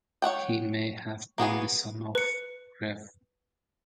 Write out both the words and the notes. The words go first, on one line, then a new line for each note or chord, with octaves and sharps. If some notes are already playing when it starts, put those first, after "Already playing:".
He may have been the son of Rev.
C#5 E5 F#5 G5
A#3 B3 F#4 G#4
B4 C#7